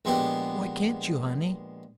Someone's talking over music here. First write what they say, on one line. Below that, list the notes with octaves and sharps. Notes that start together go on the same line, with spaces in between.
"Why can't you, honey?"
A#1 G#3 B3 G4